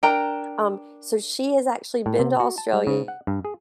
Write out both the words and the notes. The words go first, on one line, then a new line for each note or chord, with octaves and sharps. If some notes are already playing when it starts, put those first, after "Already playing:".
Um, so she has actually been to Australia,
D4 A#4 G5 A#5
A2
C3
F#4
A5
G3
C#3
F#5
G2
G#4